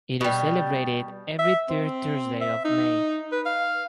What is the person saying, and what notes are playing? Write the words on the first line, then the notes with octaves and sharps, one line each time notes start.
It is celebrated every third Thursday of May.
B2 G3
E5
C4
E5
D#4
B4
F5